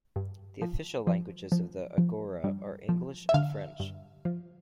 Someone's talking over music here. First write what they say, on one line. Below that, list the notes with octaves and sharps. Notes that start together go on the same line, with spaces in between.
The official languages of the Agora are English and French.
G2
F3
F3
F3
F3
G2
F3
E5
D3 F5
G2
F3